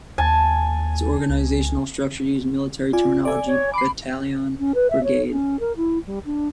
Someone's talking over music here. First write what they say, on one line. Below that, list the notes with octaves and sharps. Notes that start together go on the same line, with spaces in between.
Its organizational structure uses military terminology: battalion, brigade.
D#2 G#5 A5
C#2
F4 D5 G#5
A4 D5 G#5
C#5
B5 D6 C7
C#4
B4
E5
C#5
C#4
A#4
E4
G3
D4